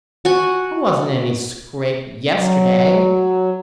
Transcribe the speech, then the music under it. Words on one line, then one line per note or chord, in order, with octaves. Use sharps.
"I wasn't in any scrape yesterday."
F#4 F#5 G#5
F#3